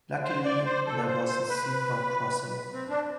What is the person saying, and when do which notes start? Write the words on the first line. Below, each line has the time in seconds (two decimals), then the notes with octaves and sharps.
Luckily there was a zebra crossing.
0.24 C5
0.45 D5
0.65 C5
0.87 A4
1.07 C5
1.27 C5
1.48 B4
2.73 C4
2.89 D4